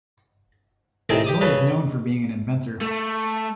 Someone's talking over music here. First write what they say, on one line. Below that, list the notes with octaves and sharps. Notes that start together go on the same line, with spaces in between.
Joy is known for being an inventor.
A2 C3 D#3 C4 G#4 A4
G4 D6 D#6
C#3 C#4 G#4 A4 B4
A3